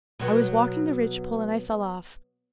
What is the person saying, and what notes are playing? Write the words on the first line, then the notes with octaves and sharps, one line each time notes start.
I was walking the ridgepole and I fell off.
B2 F#3 B3